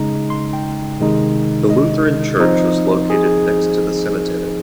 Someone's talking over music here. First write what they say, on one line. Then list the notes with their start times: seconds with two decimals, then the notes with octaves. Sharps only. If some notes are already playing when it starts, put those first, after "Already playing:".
The Lutheran church was located next to the cemetery.
Already playing: C#3 G#3 D#4 A#5
0.30 C6
0.53 G5
1.00 C3 D#3 G#3 D#4
1.70 D#5
2.39 F3 C4 D#4 C5
3.10 G#4